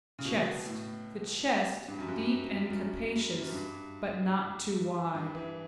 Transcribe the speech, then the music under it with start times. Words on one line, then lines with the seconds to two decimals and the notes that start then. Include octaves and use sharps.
CHEST--The chest, deep and capacious, but not too wide.
0.19 C#3
0.25 B2
0.66 A2
1.88 G2
1.99 F#2
2.08 G2
2.70 F#2
3.42 F#2
3.52 G2
5.15 G2
5.35 E3